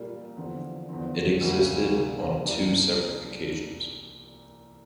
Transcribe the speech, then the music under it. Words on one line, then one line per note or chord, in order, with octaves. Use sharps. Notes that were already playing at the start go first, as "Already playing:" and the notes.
It existed on two separate occasions.
Already playing: A#2 G3 A#3
E2 D3 F3 C4
E2 D3 F3 C4
D2 D3 G3 A#3
C3 G3 A#3
C2 A#2 G3 D4 G4